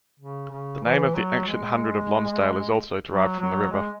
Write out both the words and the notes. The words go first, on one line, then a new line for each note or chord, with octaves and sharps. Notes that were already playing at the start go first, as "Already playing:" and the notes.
The name of the ancient hundred of Lonsdale is also derived from the river.
C#3
C#3
E3
F#3
G#3
F#3
F#3
G#3